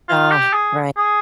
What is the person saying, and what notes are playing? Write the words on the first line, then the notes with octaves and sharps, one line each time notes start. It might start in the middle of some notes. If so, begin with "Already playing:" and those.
Ah, righ
F4
G4
G#4
G#4